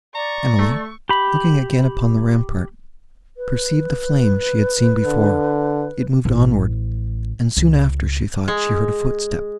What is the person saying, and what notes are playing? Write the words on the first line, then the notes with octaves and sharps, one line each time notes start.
Emily, looking again upon the rampart, perceived the flame she had seen before; it moved onward; and, soon after, she thought she heard a footstep.
D5 A#5 C#6
A3
G4 B5
B4
D3
A1
C#2
G#3